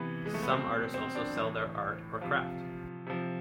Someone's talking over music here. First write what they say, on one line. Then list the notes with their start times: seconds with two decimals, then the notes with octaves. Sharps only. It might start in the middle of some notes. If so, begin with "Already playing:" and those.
Some artists also sell their art or craft.
Already playing: C3 E3 B3
0.26 G#3
0.34 A3
0.42 B3
0.51 B2 C4
0.94 C4
1.15 D4
1.36 A2 E3
2.21 C3 F3 F4
3.07 C3 F3